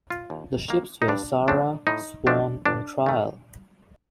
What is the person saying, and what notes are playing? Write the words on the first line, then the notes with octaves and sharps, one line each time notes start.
The ships were "Sara", "Swan", and "Trial".
F4
D#2
D#3 A#3
D#4
G2 D4
F3 A3 C4 D4
A2 D#4
F3 A3 C4 D4
G1 D4
D#3 A3